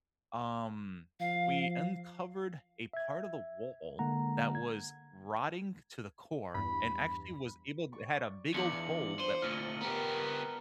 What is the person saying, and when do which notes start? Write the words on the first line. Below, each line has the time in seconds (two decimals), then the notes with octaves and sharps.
um, we uncovered a part of the wall that was rotting to the core and actually was able to had a big old hole that
1.20 F3 F5
2.93 E5 G#6
3.99 D3 G#3 A#3 F#5 A#5
4.55 G#6
6.55 E2 G2 B5
7.92 D5 C#6
8.54 E2 D4 F4 C#7 F#7
9.20 C5 D#7 F#7 G7
9.42 D2 A#2 F6 D#7
9.81 B3 G4 A#4